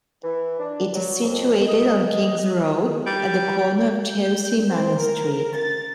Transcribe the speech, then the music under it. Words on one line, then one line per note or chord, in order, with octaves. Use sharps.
It is situated on King's Road, at the corner of Chelsea Manor Street.
E3
D4
F#3
F2
D#5
G3
G6
C4
A#4
A6